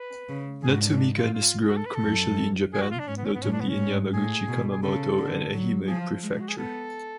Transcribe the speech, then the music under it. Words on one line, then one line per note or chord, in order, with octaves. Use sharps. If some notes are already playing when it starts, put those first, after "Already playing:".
Natsumikan is grown commercially in Japan, notably in Yamaguchi, Kumamoto and Ehime prefecture.
Already playing: B4
C#3
G#2 G#4
F#4
D4
C#4
D4
F4
F4
F#4
A4
B4
A4
F#2
G#4
F#4
F4
D4
G#2 C#4
B3
C#4
B3
A2 C#4
D4
B3
C#4
G#2
A2 G#4
B2
G#4
C#3 A4
D3
F#3
F3 G#4
F4
G#3
D4
F#4
G#4
B3 A4